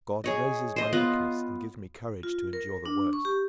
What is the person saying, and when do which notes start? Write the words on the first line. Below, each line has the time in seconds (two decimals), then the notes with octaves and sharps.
God raises my weakness and gives me courage to endure the worst.
0.24 G#4 C#5 D#5
0.76 C5 D#5
0.93 B3 F4 D#5
2.23 F4
2.53 A#4
2.86 D4
3.13 C#6
3.25 G4